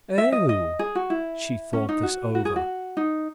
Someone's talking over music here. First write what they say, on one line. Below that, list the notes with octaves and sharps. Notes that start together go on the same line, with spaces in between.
"Oh!" She thought this over.
E5
D#5
D#5
G#4
F#4
E4
C#4
D#4
F#4
F#4
G#4
F#4
D#4